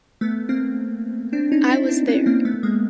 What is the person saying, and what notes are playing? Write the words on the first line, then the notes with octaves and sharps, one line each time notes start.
I was there.
A3 B3
A#3 C4
C4 D4
C#4 D#4
D4 E4
C4 D4
B3 C#4
A#3 C4
A3 B3
G#3 A#3